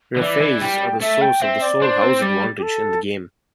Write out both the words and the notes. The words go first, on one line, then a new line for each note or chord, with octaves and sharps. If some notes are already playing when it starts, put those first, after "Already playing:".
Refaits are the source of the sole house advantage in the game.
D3
E3 D5
E3
G3 G5
A3 E5
G5
C4 E5
D5
D4 C5
C4
G3
G4
A4